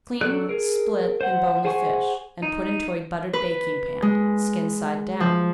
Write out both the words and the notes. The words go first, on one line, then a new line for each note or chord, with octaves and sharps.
Clean, split, and bone the fish, and put into a buttered baking-pan, skin-side down.
F#3 A4 D5 E6 F#6
G#4 A#4
C5 F#5
G#4 C5 F#5 G#5 C#6
D#4
B4
G#3
F3